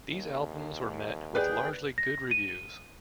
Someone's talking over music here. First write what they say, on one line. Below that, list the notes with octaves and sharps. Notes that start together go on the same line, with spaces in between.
These albums were met with largely good reviews.
D#2
G#4 B4 D5 G5
A#6
D#7